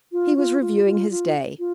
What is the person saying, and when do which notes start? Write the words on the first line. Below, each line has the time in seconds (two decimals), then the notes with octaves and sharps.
He was reviewing his day.
0.12 F4
0.37 F4
0.61 F4
0.86 F4
1.11 F4
1.59 F4